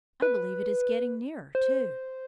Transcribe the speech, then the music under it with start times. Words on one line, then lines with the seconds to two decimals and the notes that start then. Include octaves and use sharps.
"I believe it is getting nearer, too."
0.22 B4
1.55 C5